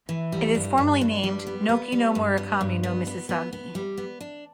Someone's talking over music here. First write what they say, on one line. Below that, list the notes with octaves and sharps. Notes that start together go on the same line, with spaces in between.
It is formally named "Nochi no Mukarami no misasagi".
E3
G3
G2
G2
G2
G3
B3
B3
G3
G2
B3
G2
B3
B3
B3
B3
G3
B3
D4